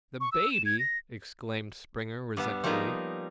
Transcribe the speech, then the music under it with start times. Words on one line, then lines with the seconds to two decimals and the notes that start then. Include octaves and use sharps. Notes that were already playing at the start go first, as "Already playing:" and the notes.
"The baby!" exclaimed Springer resentfully.
0.21 C#6
0.32 E6
0.52 E7
0.66 G#6
0.79 A#6
2.37 G2 G3 B3
2.64 F3 G3 A#3 B3 D#4